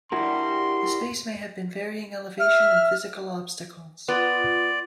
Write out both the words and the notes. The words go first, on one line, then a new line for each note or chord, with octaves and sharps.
The space may have varying elevation and physical obstacles.
G2 G3 E4 F#4 A#4 C6
E5 F6
B3 F4 D5